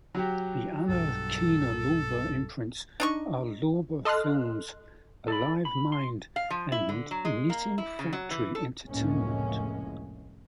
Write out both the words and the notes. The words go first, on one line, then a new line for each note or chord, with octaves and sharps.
The other Kino Lorber imprints are Lorber Films, Alive Mind, and Knitting Factory Entertainment.
F#3 F#4 G4
B1 G2 A4
D4 D#4 C#6
A4 D#5 C6 F6 F#6
A4 D5 B5
B5
C6
F5
F3
E4
D3
F#3
G#3
A#3
E4
C#3
F#3
E3
A4
F1 C#2 A2 G#3 A#3 C#4